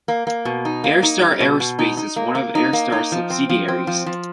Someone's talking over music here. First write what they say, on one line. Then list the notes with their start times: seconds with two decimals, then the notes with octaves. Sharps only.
Airstar Aerospace is one of Airstar's subsidiaries.
0.08 A#3
0.27 A#3
0.45 B2
0.65 D#4
0.84 A#3
1.03 D#4
1.21 G3
1.40 B2
1.60 B2
1.79 D#4
1.97 D#4
2.16 A#3
2.35 A#3
2.55 D#4
2.73 A#3
2.92 D#4
3.12 F3
3.30 C4
3.49 F3
3.68 C4
3.87 F3
4.06 F3